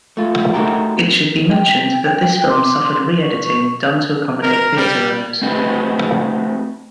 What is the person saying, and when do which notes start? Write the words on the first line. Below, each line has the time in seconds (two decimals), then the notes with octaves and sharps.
It should be mentioned that this film suffered re-editing done to accommodate theater owners.
0.17 A3 F4
0.53 A3 D4 D#4 F#4 G4 A#4
1.51 G5
2.49 C6 D6
3.22 C#6
4.43 A#4
4.77 G3
5.42 A3 C4 D#4 F#4 A4 B4